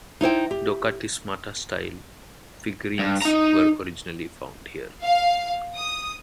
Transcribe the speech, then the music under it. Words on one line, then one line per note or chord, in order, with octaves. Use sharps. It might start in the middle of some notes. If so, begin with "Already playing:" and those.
'Dokathismata style' figurines were originally found here.
D#4 E4 C5 G5
G4
G2
D#4 A#5
F5
D#6